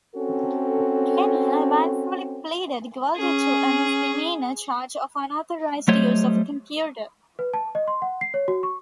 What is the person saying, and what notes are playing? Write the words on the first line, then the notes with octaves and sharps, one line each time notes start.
Ganier eventually pleaded guilty to a misdemeanor charge of unauthorized use of a computer.
C4 C#4 F#4 A4
C#4 G#4
F#3 G3 A3 C5 C#5 D#5
B4
A5
D#5
C6
F#5
C7
C#5
F#4
C#6